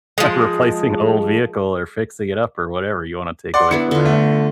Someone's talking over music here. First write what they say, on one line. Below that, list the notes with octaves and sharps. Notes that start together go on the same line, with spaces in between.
replacing an old vehicle or fixing it up or whatever you wanna take away from that.
F3 G#3
D5 F#5 C6
B3 D4 E4 C#7
D3 F4
A3